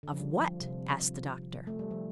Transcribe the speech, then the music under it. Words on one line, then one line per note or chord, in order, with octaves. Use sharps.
"Of what?" asked the Doctor.
D3
F3
G3
F3
C3
A3
G3
F3